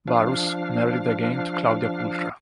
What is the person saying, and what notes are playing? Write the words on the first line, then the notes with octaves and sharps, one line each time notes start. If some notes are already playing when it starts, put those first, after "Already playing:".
Varus married again to Claudia Pulchra.
F3 D4 F5